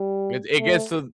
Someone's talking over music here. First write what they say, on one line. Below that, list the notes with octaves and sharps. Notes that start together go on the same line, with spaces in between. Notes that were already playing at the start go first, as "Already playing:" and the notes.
It it gets to
Already playing: G3
A3